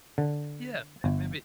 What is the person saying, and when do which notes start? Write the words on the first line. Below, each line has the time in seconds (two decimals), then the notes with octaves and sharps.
yeah, may maybe
0.18 D3
1.04 G1